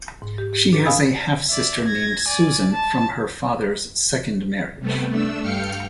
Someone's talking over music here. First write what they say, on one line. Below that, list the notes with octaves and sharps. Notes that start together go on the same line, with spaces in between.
She has a half-sister named Susan from her father's second marriage.
G#2
G4
G4
D4 A4 B4
F5 G#5 B5 D#6 E6
D5 E5
G#6 A#6
D5 G#5
A5
C3 G3 A3 B3
A3 D4 E6
G2 F5 G5 F6 C#7